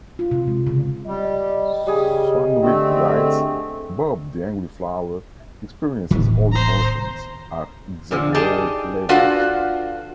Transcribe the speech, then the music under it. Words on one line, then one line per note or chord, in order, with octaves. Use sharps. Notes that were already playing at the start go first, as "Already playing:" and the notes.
Swanwick writes, Bob the Angry Flower experiences all emotions at exaggerated levels.
F4
C3
G#3
C#3
G3 D#5
C#3 G3 G#4
D3 A3 C4
D1 A1 D#3 E3 B3
C5 A#5
A#2 D3 F3
D#4 G4 G#4 D5 G5 A5
D4 F4 F#4 A4 B4 F5